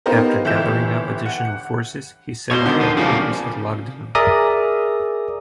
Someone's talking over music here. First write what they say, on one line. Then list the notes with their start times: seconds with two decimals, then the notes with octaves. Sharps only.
After gathering up additional forces, he set up headquarters at Lugdunum.
0.06 B3 D#4 F4 G4 A#4 C5
0.45 G1 E3 G4 E5 G6 E7
1.26 F#5
2.51 B2 C5 C#5
2.66 D3 D#3
2.81 D#2 F3
2.97 C#3 F3 G3 A#3
4.15 G#4 A#4 D5 E5 A#5 D#6